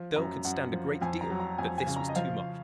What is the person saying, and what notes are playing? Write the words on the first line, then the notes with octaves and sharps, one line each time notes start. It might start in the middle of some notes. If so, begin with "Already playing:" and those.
The girl could stand a great deal, but this was too much.
Already playing: F3
F#2 A#5
F#2 F#5
F3
F2 G#5
A#5
F#3
A#5
F2 G#5
G#5
C#3
A#5
D#5
F3 F5